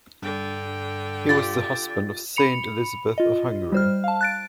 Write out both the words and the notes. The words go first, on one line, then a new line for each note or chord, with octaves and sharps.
He was the husband of Saint Elizabeth of Hungary.
G2 D3 G5
F4 G4 D5 A6
B5 C#7 F7
F4 D#5
G3 C5 F6
F5 A5
F#6 A6 D7